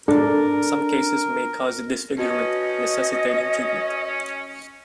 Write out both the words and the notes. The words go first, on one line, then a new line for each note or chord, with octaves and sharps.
Some cases may cause disfigurement, necessitating treatment.
D4 A4 A#4
C#4 F#4 B4 D#5 A5